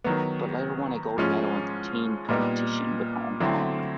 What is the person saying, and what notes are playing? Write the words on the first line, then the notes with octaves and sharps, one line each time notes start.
But later won a gold medal in the team competition with Hong Kong.
D#3 F#3 B3
G#2 F3 G#3 C#4
A#2 G3 B3 D#4
D3 F#3 A3 C4 E4